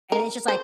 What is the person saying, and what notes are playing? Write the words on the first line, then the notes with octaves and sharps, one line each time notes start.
And it's just, like,
A#4
C5